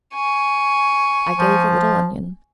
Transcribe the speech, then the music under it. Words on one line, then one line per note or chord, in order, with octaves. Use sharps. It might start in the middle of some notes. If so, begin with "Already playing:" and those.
I gave a little onion.
G#5 C#6
F3